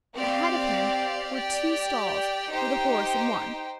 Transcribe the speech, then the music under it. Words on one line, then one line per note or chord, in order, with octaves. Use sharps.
Ahead of him were two stalls, with a horse in one.
C4 G4 D5 F5
G4 D5 G5
D#4 G4 C5 G5